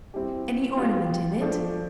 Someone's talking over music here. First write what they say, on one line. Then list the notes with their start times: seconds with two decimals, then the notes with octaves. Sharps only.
"Any ornament in it?"
0.14 G3 C4 E4 G4
0.77 G3 D4 F4
1.41 F3 A3 D4